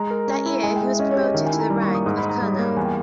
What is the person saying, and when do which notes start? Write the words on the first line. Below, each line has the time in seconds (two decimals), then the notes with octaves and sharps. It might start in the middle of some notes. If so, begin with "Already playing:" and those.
That year, he was promoted to the rank of colonel.
Already playing: G#3 A#5
0.11 A#4
0.28 C#4
0.46 E4
0.63 G#3 G#5
0.75 G5
0.81 G#3
0.87 E5
0.99 C#4 D#5
1.11 C#5
1.16 G4
1.23 D#5
1.34 D#3 E5
1.46 G#5
1.53 E4
1.59 A#5
1.70 G3 A#5
1.82 C#6
1.88 A#3
1.94 D#6
2.06 G#2 D#6
2.17 B5
2.23 D#4
2.29 A#5
2.42 G3
2.53 C#5
2.59 A#3
2.76 E2 G#5
2.84 G5